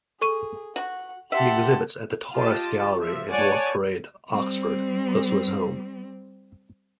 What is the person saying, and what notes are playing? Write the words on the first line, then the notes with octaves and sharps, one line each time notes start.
He exhibits at the Taurus Gallery in North Parade, Oxford, close to his home.
G#4 A4 C#6 D#7
F#4 F#5
G4 E5 F#5 A5 C6
F4 G4 D#5 A5
F3 E5
C#5 D5 F#5 G#5 A5
G3 C4